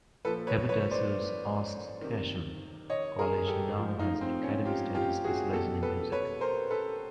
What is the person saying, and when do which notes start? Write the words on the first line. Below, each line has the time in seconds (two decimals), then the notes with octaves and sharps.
Haberdashers' Aske's Hatcham College now has academy status specialising in music.
0.25 A#2 F3 A4 B4
0.47 B4 C#5
0.69 B4 C#5
0.91 C5 D5
2.01 C3 D#3
2.90 C#5 D#5
3.19 G#4 A#4
3.47 G4 A4
3.78 A2 F3
3.99 D#4 F4
4.21 C4
4.43 C#4
4.65 F4 G4
4.95 F4 G4
5.24 F#4 G#4
5.53 B2 G4 A4
5.83 A4 B4
6.12 B4 C#5
6.41 A#4 C5
6.71 A4 B4